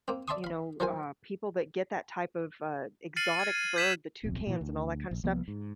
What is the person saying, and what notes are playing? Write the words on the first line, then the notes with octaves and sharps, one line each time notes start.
you know, uh, people that get that type of, uh, exotic bird, the toucans and all that kinda stuff,
A#3 C4
D5 E5 A5 C6 C#6 D#6
F5 B5
F3 F#3 A#4 C5 G#5
F6 A6 C7 C#7 D#7 F#7
G#6 D#7
D#7
G6 G#6 B6 D#7 E7 F#7
D1 B1 F2
A#2 E3
D2
A#1
C2 F3 A#3 B3
G#2